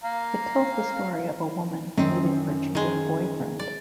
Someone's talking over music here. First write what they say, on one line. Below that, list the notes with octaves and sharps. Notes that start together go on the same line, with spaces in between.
It tells the story of a woman leaving her cheating boyfriend.
F5 A#5
F#2 D#3 C4
D#3 G#3
D5